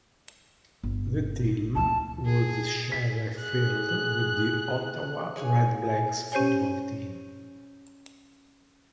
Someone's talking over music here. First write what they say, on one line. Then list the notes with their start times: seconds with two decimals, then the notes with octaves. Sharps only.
The team would share a field with the Ottawa Redblacks football team.
0.83 G1
1.76 D2 A5
2.25 G#4
2.92 B6
3.38 G#4 F#6
5.36 G#4 C#5 D5 G#5
6.32 C#4 G4 C5 C#5 G#5